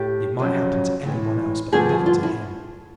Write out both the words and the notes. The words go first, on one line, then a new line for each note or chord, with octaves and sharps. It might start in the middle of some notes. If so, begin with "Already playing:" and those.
It might happen to any one else, but never to him!
Already playing: A2 A3 G4
F2 C#3 F#3
A2 E3 G#3
G2 D3 F3 A3 C4 G#4
G#4
F4
E4